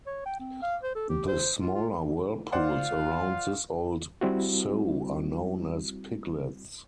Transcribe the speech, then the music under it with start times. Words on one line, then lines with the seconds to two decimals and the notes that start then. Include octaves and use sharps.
The smaller whirlpools around this Old Sow are known as Piglets.
0.07 C#5
0.26 G5
0.39 C4
0.62 F5
0.83 C5
0.95 A4
1.09 G4
1.28 C5
1.60 F4
1.74 F4
2.52 F4 C5 D5 F5 F#5
4.21 G3 C4 E4 F#4